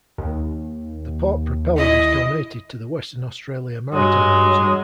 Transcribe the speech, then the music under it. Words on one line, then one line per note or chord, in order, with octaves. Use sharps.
The port propeller was donated to the Western Australia Maritime Museum.
D#2
E4 D#5
G2 F#3 G#3